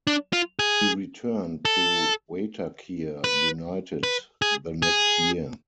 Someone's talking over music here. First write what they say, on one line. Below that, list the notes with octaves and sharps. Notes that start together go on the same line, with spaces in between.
He returned to Waitakere United the next year.
D4
F4
G#4
A4
B4
B4
G#4
G#4